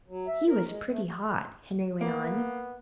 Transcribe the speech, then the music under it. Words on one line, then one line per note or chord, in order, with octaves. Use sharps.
"He was pretty hot," Henry went on.
F#3
E5
A#4
G#3
A3
A#3 B3